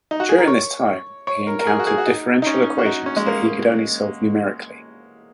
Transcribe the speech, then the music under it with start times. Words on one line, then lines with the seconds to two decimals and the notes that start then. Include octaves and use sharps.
During this time, he encountered differential equations that he could only solve numerically.
0.11 D#4
0.20 F#4
0.29 G#4
0.38 A#4
0.47 C#5
1.27 C#5
1.47 A#4
1.60 A#4
1.67 G#4
1.79 F#4
1.87 G#4
1.98 F#4
2.07 D#4
2.42 D#4
2.47 C#4
2.78 F#4
2.86 D#4
3.06 C#4
3.17 G#3
3.26 A#3
3.46 A#3